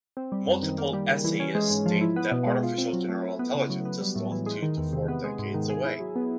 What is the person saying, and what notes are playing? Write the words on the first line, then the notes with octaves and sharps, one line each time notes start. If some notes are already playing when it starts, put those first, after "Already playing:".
Multiple essayists state that artificial general intelligence is still two to four decades away.
C4
G3
F#2
D#3
A#3
G3
C#3
E3
C#4
G#3
G#2
F3
E4
B3
B2
G#3
F4
C4
F#3
A3
E4
B3
C#3
F#3
B3
G3
A2
E3
G#3
D#3
E2
C3
B3
G#3
G#2
D#3
G#4
E4
F#3
B3